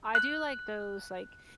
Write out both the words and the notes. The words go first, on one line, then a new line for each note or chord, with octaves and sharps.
I do like those, like,
F#6